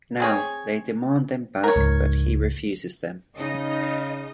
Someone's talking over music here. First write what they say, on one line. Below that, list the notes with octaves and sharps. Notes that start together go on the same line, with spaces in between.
Now, they demand them back, but he refuses them.
C4 G#4 C#5
A#4 C#5
C#2 G#2
C#3 D#4 D#5